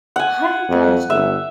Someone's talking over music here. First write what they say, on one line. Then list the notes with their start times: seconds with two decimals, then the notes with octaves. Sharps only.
I got you.
0.16 F#5 G#5
0.68 F2
1.10 G1 E5